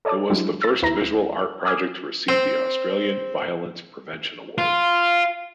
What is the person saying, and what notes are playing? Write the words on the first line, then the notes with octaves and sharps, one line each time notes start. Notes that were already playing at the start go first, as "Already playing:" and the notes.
It was the first visual art project to receive the Australian Violence Prevention Award.
A4 C#5 D5 A5 D6
F#3 G#3 D4 E4 G4
E6 A6
D#2 E4 B4 A#5 A#6
G#5 D6 D#6 F6 G#6
C4
F4